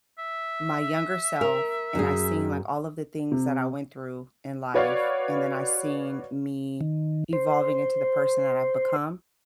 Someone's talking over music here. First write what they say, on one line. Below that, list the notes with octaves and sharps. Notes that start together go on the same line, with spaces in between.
my younger self, and I seen, like, all of the things that I went through in life, and then I seen me evolving into the person that I've become.
E5
A#4
F#2 G#4
C3
F#4 B4 C#5 D5 F5
D#3
C5